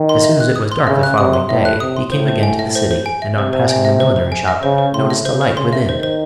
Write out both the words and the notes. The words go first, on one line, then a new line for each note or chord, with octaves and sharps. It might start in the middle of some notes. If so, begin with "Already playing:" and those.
As soon as it was dark the following day he came again to the city and on passing the millinery shop noticed a light within.
Already playing: D#3
C6
E5
F#6
D#6
C6
C#3 E5
F#6
C3 D#6
C6
A2 E5
F#6
C3 D#6
C6
A2 C5
C5
G#5
E5
C5
C5
G#5
E5
C3 C5
C5
G#5
E5
C5
C5
G#5
E5
C#3 C5
C5
A2 C6
E5
C#3 C5
C5
C#3 C6
E5
D#3 C5
C5